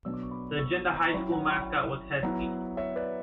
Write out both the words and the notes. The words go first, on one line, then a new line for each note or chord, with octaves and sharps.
The Agenda High School mascot was Huskies.
B2 F#3 B3 D4 E6
D6
C#6
B5 D6
C#6 E6
A#5 C#6
C#6
F#3 C#4 E4 G5 B5
F#5 A#5
C#6
G5 B5
F#3 B3 E4 F#5 A#5
C#5 E5
B4 D5